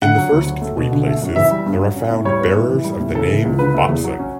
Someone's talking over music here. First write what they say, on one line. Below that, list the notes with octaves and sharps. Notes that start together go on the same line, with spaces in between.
In the first three places, there are found bearers of the name Botzon.
D3 F#5
F#3
D2
F#3
A3
B2
D3
A3
F#2
E3 E5
G3
G2
F#3
C#4
A2
G3 C#5
B3
A2
E3
G3
A2
C#3 A4
E3
C#2
D3 B4
A3
E2
F#3
C#4